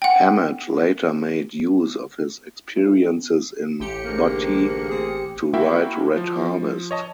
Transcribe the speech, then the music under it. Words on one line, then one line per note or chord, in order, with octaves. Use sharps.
Hammett later made use of his experiences in Butte to write Red Harvest.
F#5 G5
A1 G4 C#7
D2 G#2 A#3
A#3 C4 G#4
A#3 E4 F#4 E5 G5
F3
C#5 D#5 A5